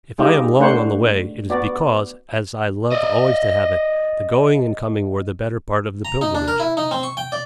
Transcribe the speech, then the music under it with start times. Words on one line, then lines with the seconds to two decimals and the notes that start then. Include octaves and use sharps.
If I am long on the way, it is because, as I love always to have it, the going and coming were the better part of the pilgrimage.
0.18 G#3 D#4 F4 G4
0.59 A3 D4 C5 C#5 F#5
1.50 B3 F#4 D5
2.92 D5 D#5
6.05 A#5
6.21 D#4
6.35 D4
6.48 A#4
6.60 E4
6.77 D#4
6.91 C4
7.03 C#6
7.17 G5
7.32 D5